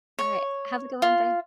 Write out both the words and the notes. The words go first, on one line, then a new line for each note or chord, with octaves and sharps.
Alright, have a good one, bye.
C#5
F4